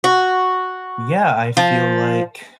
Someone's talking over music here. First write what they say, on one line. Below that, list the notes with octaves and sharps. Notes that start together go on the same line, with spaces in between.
Yeah, I feel like
F#4
F3